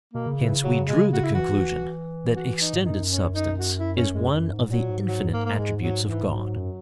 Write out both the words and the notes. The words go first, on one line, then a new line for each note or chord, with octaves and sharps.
Hence we drew the conclusion that extended substance is one of the infinite attributes of God.
B2 A#3
C#3
E3
F#3
G#3
F#4
E4
E3 F#4
F#4
D#4
G#2
F#2 D#4
C#4
D#4
F#4
E4
C#4
G#3
F#2
G#2
A#2 F#3
G#2
F#3
A#3
A#3
G#3
F#3
E3
F#3
F#2